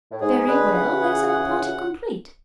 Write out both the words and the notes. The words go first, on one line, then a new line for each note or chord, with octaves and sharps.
Very well; there is our party complete!
A2
G#2 G#4
B2 D3 B4
C#3 E3 F#5
G#4
F#5